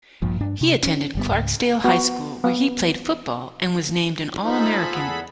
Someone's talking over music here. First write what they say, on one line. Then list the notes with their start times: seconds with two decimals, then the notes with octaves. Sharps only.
He attended Clarksdale High School, where he played football and was named an All-American.
0.22 A#1 G2 A#2 F3
0.40 G2 D4
0.61 C3
0.83 C#4
1.15 G1 G3 B3
1.29 C#2 G#2
1.84 B3 F#4
2.44 B3
4.44 F3 D#4 G#4 A4 B5
4.94 E2 F#5